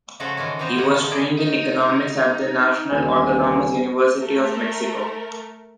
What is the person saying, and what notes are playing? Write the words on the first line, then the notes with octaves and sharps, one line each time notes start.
He was trained in Economics at the National Autonomous University of Mexico.
C#3 F3 A3 F#4 A4 E5
D#3 E3 G#3 C#4
C3 E3 B3 C4 C5 A#5
A2 D3 D#3 G3 E4 F#5
A5
D#4 E4 G#4 D5
D#4
D#1 D3 G#5
A3 A#4